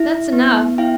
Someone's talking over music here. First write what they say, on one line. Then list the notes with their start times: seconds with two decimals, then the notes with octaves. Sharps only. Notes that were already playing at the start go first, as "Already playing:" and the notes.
"That's enough."
Already playing: E4
0.33 B3
0.78 E4 F5 G5